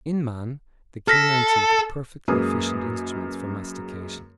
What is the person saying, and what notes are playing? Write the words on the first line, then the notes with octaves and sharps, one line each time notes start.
In man, the canine teeth are perfectly efficient instruments for mastication.
A4 F6 A#6 B6
F#2 G#3 A#3 G#4 B4 D#6